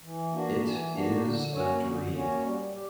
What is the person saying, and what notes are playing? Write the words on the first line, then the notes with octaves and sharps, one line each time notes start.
It is a dream.
E3
A#3 D4 F#4
E3
A#3 D4 F#4
D3
A#3 C#4 F#4 C#5
D3
A#3 C#4 F#4 C#5
G3
G4